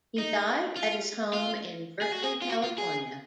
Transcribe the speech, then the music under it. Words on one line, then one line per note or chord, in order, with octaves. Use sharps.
He died at his home in Berkeley, California.
D#4
F4
F4
G#4
F#4
G#4
F4
F#4
F4
G#4